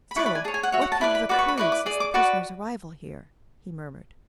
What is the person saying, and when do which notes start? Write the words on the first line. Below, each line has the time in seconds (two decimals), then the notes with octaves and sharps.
"Still, what can have occurred since the prisoner's arrival here?" he murmured.
0.11 B5
0.16 E4 B4 D5 C#6
0.26 B5
0.35 G#5
0.44 G#4 C#5 A5
0.54 G#5
0.63 F#5
0.72 F#4 C#5 E5
0.82 F#5
0.92 A5
1.01 E4 B4 D5 B5
1.15 B5
1.29 F#4 B4 D5 D6
1.39 C#6
1.48 B5
1.57 E4 B4 D5 C#6
1.72 D6
1.86 G#4 D5
2.00 D6
2.14 F#4 B4 D5 C#6